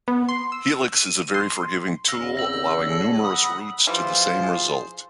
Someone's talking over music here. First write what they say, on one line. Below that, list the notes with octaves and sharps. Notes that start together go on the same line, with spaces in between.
Helix is a very forgiving tool, allowing numerous routes to the same result.
B3
C6
E6
D#7
C6
E2 C#3 F5 E6 A#6
C4 E6 A#6 F#7
A4 C#5
F#5 B5 D#6
E3 F3 G3 F4 G#4 C5 F5